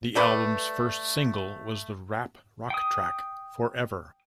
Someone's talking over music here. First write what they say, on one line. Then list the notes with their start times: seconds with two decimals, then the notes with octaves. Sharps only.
The album's first single was the rap rock track "Forever".
0.15 G3 A3 B4 D5
2.70 G5 D#6